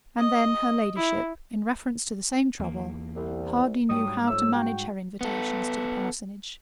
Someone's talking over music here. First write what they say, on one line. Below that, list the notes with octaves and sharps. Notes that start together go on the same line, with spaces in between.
And then her ladyship, in reference to the same trouble, hardly knew how to manage her invitations to the parsonage.
D#5
E4
E2 A#3
C2
G#2 F#3 G3 G4 D#6
F2 C#5 E6
F#4 G5
B3 A4